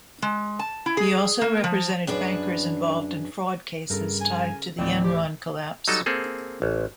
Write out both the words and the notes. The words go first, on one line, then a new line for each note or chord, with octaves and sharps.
He also represented bankers involved in fraud cases tied to the Enron collapse.
G#3
A5
E4
G#4
A#3
F3
F#2 D4 G#4 B4
G2 C#3 A4 A#4
G#5
D1 A1 E3 C4 D5
G4
F#3 G3 D#4 A4
A#3 C4 G#4 A4
A1